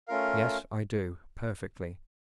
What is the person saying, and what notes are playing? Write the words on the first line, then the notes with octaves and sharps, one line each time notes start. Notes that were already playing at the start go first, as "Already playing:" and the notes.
Yes; I do, perfectly.
A3 C#4 F4 A#4 F5